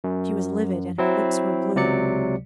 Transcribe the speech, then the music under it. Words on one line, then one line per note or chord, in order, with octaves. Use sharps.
She was livid and her lips were blue.
F#2
F#3 C4 E4
C#2 C3 F#3 D5 C#7